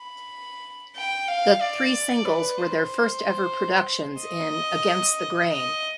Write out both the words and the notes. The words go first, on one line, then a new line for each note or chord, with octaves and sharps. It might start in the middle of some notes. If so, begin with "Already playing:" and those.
The three singles were their first ever productions in Against the Grain.
Already playing: B5
G5
F5
D5
B4
C5
D#5
D#5